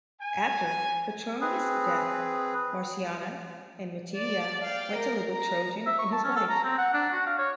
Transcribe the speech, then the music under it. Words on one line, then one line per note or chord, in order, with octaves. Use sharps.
After Patruinus' death, Marciana and Matidia went to live with Trajan and his wife.
G#5
C4 G#4 B4
D5
F5 G5
A#4
A#5
E5
C#6
A5
C#4
A4
A#5
C4
F#5
D4
F#4
F5
C#5